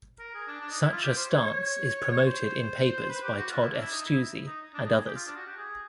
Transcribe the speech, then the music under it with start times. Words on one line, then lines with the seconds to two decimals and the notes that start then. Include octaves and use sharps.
Such a stance is promoted in papers by Tod F. Stuessy and others.
0.19 A#4
0.34 G#4
0.48 D4
0.61 D4
0.71 D#4
0.82 E4
0.92 F4
1.03 G4
1.17 C5
1.30 C#5
1.44 C#5
2.26 C5
3.10 B4
3.23 G4
3.37 F#4
3.50 F4
3.61 E4
3.71 D4
3.81 E4
3.92 D#4
4.06 E4
4.46 D#4
4.74 D4
4.84 D#4
4.95 G#4
5.06 G4
5.16 F4
5.27 D4
5.36 F#4
5.46 G4
5.57 G#4